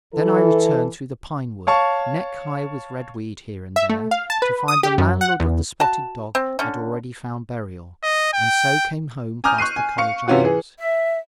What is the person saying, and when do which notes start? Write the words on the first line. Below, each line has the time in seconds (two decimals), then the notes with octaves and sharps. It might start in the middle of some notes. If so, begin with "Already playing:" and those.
Then I returned through the pine wood, neck-high with red weed here and there, to find the landlord of the Spotted Dog had already found burial, and so came home past the College Arms.
0.14 E3 A4
1.67 C#5 F5 A5 C#6
3.76 E5
3.89 A3
4.11 F5
4.30 A5
4.42 B4
4.68 D#6
4.83 G4
4.98 F#2
5.21 F#5
5.40 E2
5.80 F#4 A5
6.35 C4
6.59 D3 C#4
8.03 D#5
8.33 G5
9.44 G#5 A#5 D6 D#6 F6 G6
9.58 C#6 F#6 C7 D#7
9.76 G#5
9.98 F5 C#6 C#7
10.28 C3 E3 C#4 F4 F#4
10.43 E3 G#4
10.78 E5